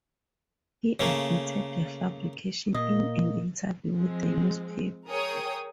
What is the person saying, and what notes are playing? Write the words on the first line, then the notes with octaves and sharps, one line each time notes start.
He admitted the fabrication in an interview with the newspaper.
C#3 A3 A#3
A#2 A#3 D#5
F3 G#3 C4
G#4 A#4 C#5 G5 D#6